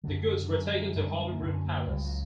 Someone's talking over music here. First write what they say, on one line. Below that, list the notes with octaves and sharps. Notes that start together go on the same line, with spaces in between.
The goods were taken to Holyrood Palace.
F#2 D3 F#3
F#2 D3
F#2 D3 G3
G3
G3
A#3
F#2 D3 B3
C#4
A#3
A#3
C#2 C#3 G3
F#3